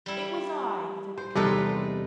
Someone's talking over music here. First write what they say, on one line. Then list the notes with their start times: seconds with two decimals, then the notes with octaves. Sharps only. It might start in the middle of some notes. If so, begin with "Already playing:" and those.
"It was I," said the cowboy.
0.06 G3 E4
1.18 C5
1.36 E2 C3 G3 G#3 D#4 F4 A4 B4